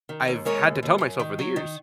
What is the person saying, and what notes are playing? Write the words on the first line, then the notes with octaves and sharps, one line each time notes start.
I've had to tell myself over the years,
D#3
D#2
G#3 A#4 C#5
D#2
D#2
F#2
D#3
F#3
D#3